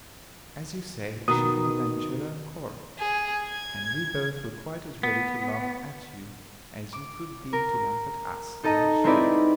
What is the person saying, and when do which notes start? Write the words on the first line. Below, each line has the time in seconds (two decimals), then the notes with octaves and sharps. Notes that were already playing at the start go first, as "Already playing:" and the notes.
"As you say, she can avenge her own quarrel, and we both were quite as ready to laugh at you, as you could be to laugh at us, I assure you."
1.28 B2 D#3 D#6
2.99 G#4
3.48 G#6
5.03 B3
6.93 D6
7.53 A#4
8.63 D#4 A4 D#5 A#5
9.04 G#3 C4 D#4 E4 B4 D5